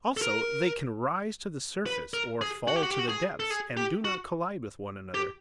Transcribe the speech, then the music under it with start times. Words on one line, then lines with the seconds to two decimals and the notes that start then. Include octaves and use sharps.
Also, they can rise to the surface, or fall to the depths, and do not collide with one another.
0.17 A4
0.22 A#4
1.86 B4
2.14 A#4
2.41 G#4
2.67 F#4
2.76 G4
2.83 F#4
2.91 G4
2.99 F#4
3.09 G#4
3.40 A4
3.50 G#4
3.77 G4
4.05 F#4
5.14 G4